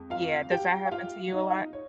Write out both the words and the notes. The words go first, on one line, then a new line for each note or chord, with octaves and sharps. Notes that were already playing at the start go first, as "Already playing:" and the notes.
yeah, does that happen to you a lot?
Already playing: F2 G#3
F4 F5
G4 G5
F4 F5
D#4 D#5
C#5